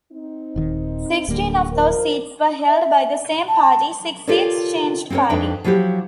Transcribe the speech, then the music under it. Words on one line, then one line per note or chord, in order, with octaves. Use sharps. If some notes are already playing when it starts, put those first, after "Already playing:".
Sixteen of those seats were held by the same party, six seats changed party.
C4 D#4
D#1 D#3
D1 D3 G3 A#3
F3 A#4
E5
A5
F4 G4 A4 A#4 C#5 D5
C4 C#4 F4 A#4 C#5
F2 D4 D#4 B4 D5 G5
F3 F#3 E4 F#4 G4